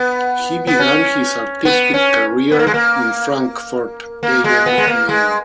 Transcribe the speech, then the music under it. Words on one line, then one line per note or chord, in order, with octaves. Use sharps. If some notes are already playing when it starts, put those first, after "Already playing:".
He began his artistic career in Frankfurt am Main.
Already playing: B3
B3
C#4
B3
C#4
B3
A#3
G#3
A#3
A#3
G#3
B3
G#3
A#3
G#3